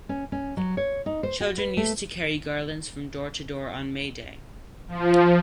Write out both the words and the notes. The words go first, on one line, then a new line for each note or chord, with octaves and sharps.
Children used to carry garlands from door to door on May Day.
C#4
C#4
F#3
C#5
D#4
C5
F#4
B4
A3
F3